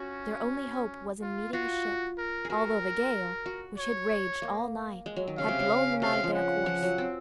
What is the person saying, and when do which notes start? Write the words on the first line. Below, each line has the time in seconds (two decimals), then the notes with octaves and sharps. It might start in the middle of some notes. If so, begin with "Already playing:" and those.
Their only hope was in meeting a ship, although the gale, which had raged all night, had blown them out of their course.
Already playing: C#4 F#4
1.21 F4
1.53 F4 F#4
2.18 A#4
2.45 G#4
2.50 F#4 A#4
3.46 F#4
3.78 C#5
4.42 A#3
5.06 G#3
5.16 F#3
5.28 D#3
5.38 C#3 F5
5.48 C3
5.59 C#3
6.02 C3 F5
6.13 C#3
6.24 F3
6.34 F#5
6.66 F3
6.82 F#3
6.98 C4